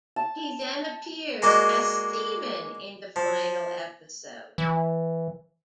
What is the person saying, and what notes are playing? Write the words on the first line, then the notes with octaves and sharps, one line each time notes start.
He then appears as Steven in the final episode.
A5
G#3 A#3 F#4 D5 D#5
F3
E3